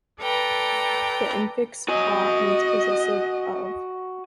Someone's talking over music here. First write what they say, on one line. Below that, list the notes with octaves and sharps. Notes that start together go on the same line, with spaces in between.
The infix "pa" means possessive 'of'.
A4 B4 D5 G5 A#5
F#4 D#5 G#5